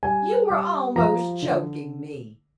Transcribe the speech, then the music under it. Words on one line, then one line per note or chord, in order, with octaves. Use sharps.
You are almost choking me!
G3 G#5
G3
F3 A#5
D3